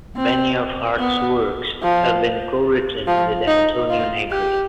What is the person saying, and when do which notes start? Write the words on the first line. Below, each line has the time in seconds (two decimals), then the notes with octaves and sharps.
Many of Hardt's works have been co-written with Antonio Negri.
0.17 C4
0.99 B3
1.83 F3
3.07 F3
3.47 D#4
3.90 F4
4.31 G4